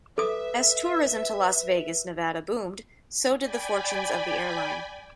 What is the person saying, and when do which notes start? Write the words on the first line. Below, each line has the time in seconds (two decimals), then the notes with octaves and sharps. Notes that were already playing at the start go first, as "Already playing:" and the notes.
As tourism to Las Vegas, Nevada, boomed, so did the fortunes of the airline.
0.18 A4 B4 E5 D#6
3.38 D5 G5 G#5 B5